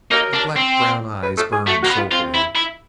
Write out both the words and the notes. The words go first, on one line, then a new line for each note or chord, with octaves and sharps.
The black-brown eyes burned soulfully.
D#4 A#4
D4
C4
B4
A4
G#4
A3 F#4
A#3 F#4
B3
F4
C4 F4
E4
E4